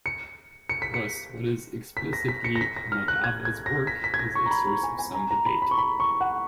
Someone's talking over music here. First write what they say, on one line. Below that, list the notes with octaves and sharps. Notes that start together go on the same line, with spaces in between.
Thus, what is explicitly Madhava's work is a source of some debate.
C#7
C#7
B6
C#7
B6
A#6
B6
C#7
A#6
B6
A#6
F6
F#6
G#6
G#6
A#6
B6
B6
G#6
A#6
C#6
A#5
B5
A#5
G#5
G#5
A#5
A#5
B5
B5
C#6
B5
C#6
F#5